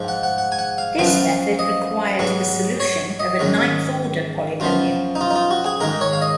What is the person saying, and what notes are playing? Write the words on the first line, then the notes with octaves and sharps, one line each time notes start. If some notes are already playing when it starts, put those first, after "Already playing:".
This method required the solution of a ninth order polynomial.
Already playing: G#2 F3 G#3
F#5
F#5
F#5
G#5
F#5
F5
F#2 F3 B3 F5
F#5
F5
D#5
G#2 F#3 B3
C#5
D#5
G#2 D#3 G#3 C#4
F#2 F3 B3 F4
D#4
F4
D#4
F4
F#4
G#4
G#2 D#3 G#3 A#4
C#5
F5
D#5